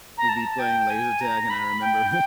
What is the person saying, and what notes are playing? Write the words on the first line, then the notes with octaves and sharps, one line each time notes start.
we'll be playing laser tag, and I remember
A#5
A5
G5
G#5
A#5
A#5
B5
G5
G5